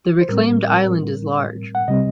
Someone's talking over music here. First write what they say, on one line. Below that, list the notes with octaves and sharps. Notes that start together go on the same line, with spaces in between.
The reclaimed island is large.
C5
A2 G3 C4 A#4
F#5
C3 G3 C4 D#5